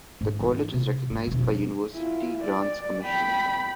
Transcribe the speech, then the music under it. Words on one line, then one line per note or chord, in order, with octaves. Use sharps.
The college is recognized by University Grants Commission.
G#2
E3 E4
C3
G#2
E1 D3
F3 C#4
E4 F4
D5
G5 B5